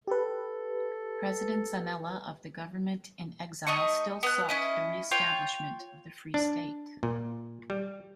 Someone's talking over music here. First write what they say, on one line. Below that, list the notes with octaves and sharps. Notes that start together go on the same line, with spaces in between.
President Zanella of the government-in-exile still sought the re-establishment of the Free State.
G4 A4 B4
A3 D#4 D#5 C#6
B3 F#6
C#4 E4 D#5
F4 C#5 G5
D4
A#2
G3